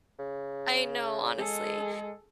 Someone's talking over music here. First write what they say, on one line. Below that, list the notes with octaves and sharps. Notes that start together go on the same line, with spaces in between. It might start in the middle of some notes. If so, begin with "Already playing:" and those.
I know, honestly,
C#3
G#3 G#4 A4